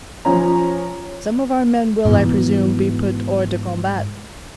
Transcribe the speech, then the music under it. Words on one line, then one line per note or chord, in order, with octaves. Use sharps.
Some of our men will, I presume, be put HORS DE COMBAT.
F3 C#4 A#5
G#2 B2 E3